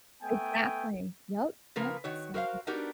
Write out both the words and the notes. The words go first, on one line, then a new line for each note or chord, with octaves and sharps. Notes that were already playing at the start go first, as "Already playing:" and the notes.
Exactly, yep, yep so
A3 B3 G5 G#5
C#3 F3 A#3 A#4 B4
D#3 F#4 C#5
F#4 A#4 C5 E5 F5
B3 D4 D#4 F#4 G4 A#4